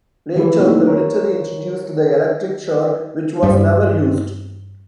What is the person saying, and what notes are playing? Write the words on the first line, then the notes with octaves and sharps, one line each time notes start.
Later, the military introduced the electric chair, which was never used.
E3 F3 E4 B4
F#3 A3 A#3 C4 D#4 E4
A#4 C#5
G2 G3